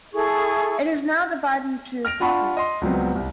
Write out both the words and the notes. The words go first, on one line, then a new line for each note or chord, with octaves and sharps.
It is now divided into apartments.
E4 G#4 A4 C#6
F6 A#6 D7 F7
D4 F4 F#5 A5 B5 C#6
D#5 C6
C#2 F#3 G3 B3 C4
C2